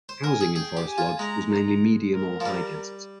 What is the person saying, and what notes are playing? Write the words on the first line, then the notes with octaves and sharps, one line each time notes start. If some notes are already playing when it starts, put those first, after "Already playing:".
Housing in Forest Lodge was mainly medium or high density.
C5
A#4 G#5
G#4
G#4 G5
G4
G#5
F4
G#3 A#5
A#5
A#4
F3
G3